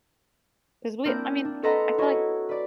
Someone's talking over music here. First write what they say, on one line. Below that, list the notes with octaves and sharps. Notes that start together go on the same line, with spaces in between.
'Cause we I mean I feel, like,
A#3 C4 D4 E4 A#4 G5
D4
A4 B4 D#5 F#5 A#5 C6
E4 F#4 C#5 D#5
B4 D5